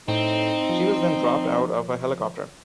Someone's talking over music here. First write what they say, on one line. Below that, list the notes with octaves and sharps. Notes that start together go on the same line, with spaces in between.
She was then dropped out of a helicopter.
A2 C4 D#4
F3